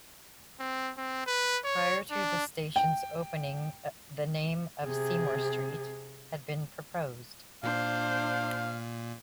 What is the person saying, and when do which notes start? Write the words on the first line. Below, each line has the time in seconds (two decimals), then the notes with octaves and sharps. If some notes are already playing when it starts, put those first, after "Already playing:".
Prior to the station's opening, the name of "Seymour Street" had been proposed.
0.60 C4
0.98 C4
1.26 B4
1.64 C#5
2.11 D4
2.76 G5
4.85 C3 G#4
7.63 A#2 D4 C5 F5